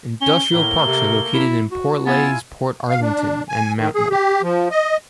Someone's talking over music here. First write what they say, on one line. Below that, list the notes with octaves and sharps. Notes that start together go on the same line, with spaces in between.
Industrial parks are located in Portlaoise, Portarlington and Mountmellick.
C#4 G7
A2 A3 A#3 A#4
C3
E4
F#4
B3 E4 F4 G#5 A6
F5
D4
G#5
D#3
G#4
G4
F3
D#5